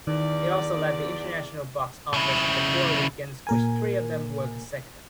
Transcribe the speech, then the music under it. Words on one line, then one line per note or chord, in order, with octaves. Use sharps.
It also led the international box office for four weekends which three of them were consecutive.
E2 D#3 D5
C#3 E4
A#2 A#4 G#5